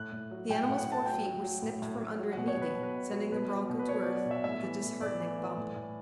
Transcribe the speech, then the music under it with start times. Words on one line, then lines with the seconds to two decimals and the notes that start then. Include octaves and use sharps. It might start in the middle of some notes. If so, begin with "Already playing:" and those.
The animal's four feet were snipped from under it neatly, sending the broncho to earth with a disheartening bump.
Already playing: A2 F#6
0.12 A2
0.31 F#3
0.49 A2 G5
0.63 F#5
0.69 A2
0.78 F#5
0.88 A2 A5
1.06 F#3 G5
1.25 F#3
1.43 F#3
1.62 A2
1.82 A2
2.00 F#3
2.19 F#3
2.33 B2 F#5
2.48 C#5
2.57 B2 B4
2.75 B2
2.83 B4
2.94 B2
3.12 F#3
3.31 B2 B4
3.51 F#3
3.69 B2
3.79 B4
3.88 F#3 C#5
4.02 D5
4.07 F#3
4.16 D5
4.26 B2
4.31 E5
4.44 A2 E5
4.63 E3
4.82 A2
5.01 A2 D5
5.20 E3
5.38 E3
5.57 A2
5.76 A2